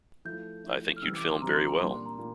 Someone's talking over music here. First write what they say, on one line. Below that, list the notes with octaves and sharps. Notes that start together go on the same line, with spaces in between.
I think you'd film very well.
F3 A3 E4 G6
F3 A3 E4
F6
C3 E3 G3 C4 E6
D6
C6
C3 E3 G3 C4 A#5
C6
A#5
A#2 G3 A#3 D4 C6
C6
A#5
A#2